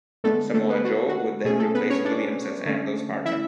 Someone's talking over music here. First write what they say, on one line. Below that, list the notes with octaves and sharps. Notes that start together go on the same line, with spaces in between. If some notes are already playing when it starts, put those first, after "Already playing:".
Samoa Joe would then replace Williams as Angle's partner.
D3 G#3 A3 B3 D4 A4
A3 A4
B3 B4
F#4
F#4
B2 A3 C#4 G#4
A3 A4
B3 B4
C#4 C#5
D4 D5
D3 A3 C#4
E4 E5